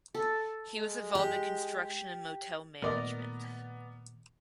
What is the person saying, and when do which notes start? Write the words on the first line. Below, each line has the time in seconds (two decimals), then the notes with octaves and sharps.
He was involved in construction and motel management.
0.14 A4
0.75 G#3
1.15 G4
2.82 A#2 D#3 A3 B3 A#4 D5 D#5